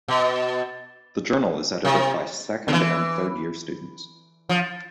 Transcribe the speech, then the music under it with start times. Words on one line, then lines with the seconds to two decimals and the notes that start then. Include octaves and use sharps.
The journal is edited by second and third-year students.
0.08 B2
1.85 C3
2.68 D3
2.73 E3
4.49 F3